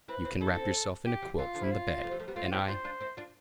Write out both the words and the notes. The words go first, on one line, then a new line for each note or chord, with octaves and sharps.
You can wrap yourself in a quilt from the bed, and I ...
C4 E4 B4
C4 E4
E4 A4
D4
C4 E4
G4
E3 G3
E3 F4
D3 F3
E4
F4
F3 A3
E3 G3
F3 A3
G3 B3
A3 C4 F4
C4 E4 G4
D4 F4 C5
D4 F4
C4 E4
D4 F4